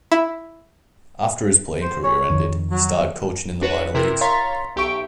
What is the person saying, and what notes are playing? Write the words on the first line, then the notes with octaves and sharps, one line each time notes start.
After his playing career ended, he started coaching in the minor leagues.
E4
C5
C#5
F2 D#3
F#3
D4 F#4 B4 C#5
C3 E4 A#4
C#5 F5 A#5 C6 A6 B6
B1 G4 E5 C#6 D7